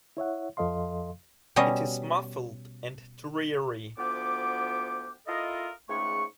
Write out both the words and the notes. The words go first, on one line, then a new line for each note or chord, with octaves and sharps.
It is muffled and dreary.
E4 C#5 E5 F#5
F2 F3 A4 D#5 F5 C6
B2 G3 C#4 D#5
D2 F3 B3 F#5 G5 D6
E4 F4 A4 A#4 D#5
C#2 G#2 A3 C#6